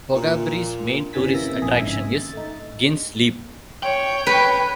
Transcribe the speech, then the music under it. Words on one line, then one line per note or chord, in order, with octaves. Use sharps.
Boggabri's main tourist attraction is Gin's Leap.
A#2
G1 C#3 E3 G#5 A6 B6
C3 E3 A#3 E5 A#6
A#1 G#4
G#1 C#3 D#4 E5 G#5
A6
A3 D#4
C#5 G5
B4